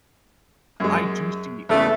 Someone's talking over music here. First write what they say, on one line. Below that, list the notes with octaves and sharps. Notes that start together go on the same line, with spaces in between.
I do see
F#2 G#3
E2 C#3 A3